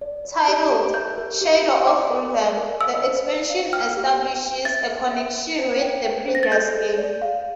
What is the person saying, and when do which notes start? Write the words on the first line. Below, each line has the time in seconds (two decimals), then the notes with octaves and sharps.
Titled "Shadow of Revan", the expansion establishes a connection with the previous game.
0.01 D5
0.25 D5
0.48 G4
0.71 G4
0.94 E5 G6
1.18 A#4
1.41 G4
1.64 G4
1.87 D5 D6
2.10 A#4
2.34 D5
2.57 A#4
2.80 F5 E6
3.03 C5
3.27 C5
3.50 F5
3.73 G5 F6
3.97 G4
4.19 G5
4.42 G4
4.65 E5 A6
4.89 A#4
5.12 E5
5.35 A#4
5.59 C5
5.82 G5
6.05 G5
6.28 C5
6.35 A#6
6.43 A6
6.51 A4 G6
6.74 A4
6.98 D5
7.22 F5